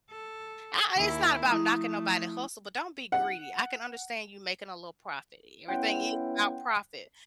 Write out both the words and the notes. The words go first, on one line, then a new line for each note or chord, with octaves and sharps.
Ah and it's not about knocking nobody hustle, but don't be greedy. I can understand you making a little profit i everything ain't about profit,
A4
D#2 E4
F3 A3 E4 D#6
F#5
B3 C#4 E4 F#5 G5 C6